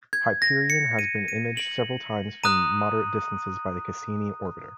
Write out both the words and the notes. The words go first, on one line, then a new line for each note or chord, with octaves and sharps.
Hyperion has been imaged several times from moderate distances by the "Cassini" orbiter.
G#6
A#6
C#7
D#7
D#7
F#7
A#5 D#6 F#6 D#7